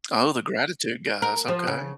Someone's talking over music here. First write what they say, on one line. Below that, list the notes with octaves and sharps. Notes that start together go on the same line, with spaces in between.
Oh, the gratitude guys. Okay.
A#4
F3
C#3